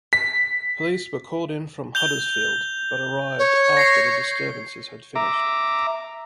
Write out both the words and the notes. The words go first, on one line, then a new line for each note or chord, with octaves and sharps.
Police were called in from Huddersfield but arrived after the disturbances had finished.
B6
G6 F7 G7
C#5
A#6 C7
E5 A#5 D6